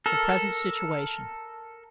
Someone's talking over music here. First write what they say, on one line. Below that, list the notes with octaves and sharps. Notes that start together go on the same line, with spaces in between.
The Present Situation.
A4 A#4